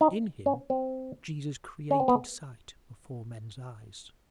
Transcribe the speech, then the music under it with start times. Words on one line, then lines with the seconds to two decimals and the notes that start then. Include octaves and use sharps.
In him Jesus created sight before men's eyes.
0.01 D#4
0.46 C#4
0.70 C4
1.91 C#4
2.00 C4
2.08 B3